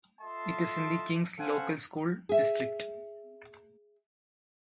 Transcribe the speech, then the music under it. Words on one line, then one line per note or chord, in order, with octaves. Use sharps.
It is in the Kings Local School District.
F4 A4 D#5 E5 A5 C6
C#4 A4 C5 F5 F#5 G#5
G#4 E5